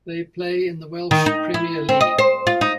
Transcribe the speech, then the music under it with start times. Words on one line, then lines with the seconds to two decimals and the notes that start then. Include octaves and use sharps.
They play in the Welsh Premier League.
1.11 D#3
1.26 D#4
1.54 E4
1.89 C4
2.01 D#5
2.18 C5
2.47 F4
2.61 D#4